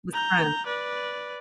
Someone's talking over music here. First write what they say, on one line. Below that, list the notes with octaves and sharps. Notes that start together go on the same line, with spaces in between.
with friends.
A#5 G6
B4 D5